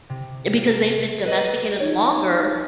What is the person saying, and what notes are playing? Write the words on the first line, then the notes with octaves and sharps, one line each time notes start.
because they've been domesticated longer,
C3
B4 D#5
D#4 C#5